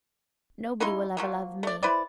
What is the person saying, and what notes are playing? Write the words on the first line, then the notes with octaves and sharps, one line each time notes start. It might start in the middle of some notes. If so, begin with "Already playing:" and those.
Nobody will ever love me.
C#3 D#4 E4 C6
F3 F#3 A#3
A3 D5
E4 B4 C5 D5